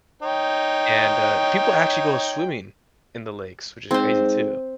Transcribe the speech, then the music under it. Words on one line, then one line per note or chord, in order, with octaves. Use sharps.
and, uh, people actually go swimming in the lakes, which is crazy too.
D#4 C#5 G5
G#2 C4 C5